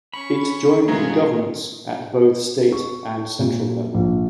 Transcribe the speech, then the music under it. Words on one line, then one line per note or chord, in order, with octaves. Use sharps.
It joined the governments at both state and central level.
C#4 B5 C#6
G#2 E3 A3 B3 F4 G#4 A#4
C#6
A#2
A#1